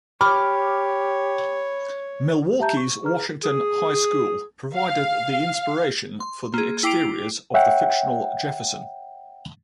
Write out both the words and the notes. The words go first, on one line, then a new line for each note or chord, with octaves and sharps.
Milwaukee's Washington High School provided the inspiration for the exteriors of the fictional Jefferson.
G4 C#5 B5 D6 F6
G4 E5 A5 A#5 G6
C#6
G#4 B4 A#5 F6
G#4
F5
C6
A#3 G#4
E4 G5 D6 C7 D7 F7
C#5 E5 F#5 G5